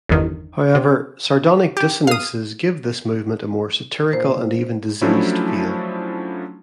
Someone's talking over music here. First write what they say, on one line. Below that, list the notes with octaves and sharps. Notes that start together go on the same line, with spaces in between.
However, sardonic dissonances give this movement a more satirical and even diseased feel.
G1 E2 D#3
C3
G4
F5 D#6
A#2 C5
F3 F#3 A3 C#4 D4 E4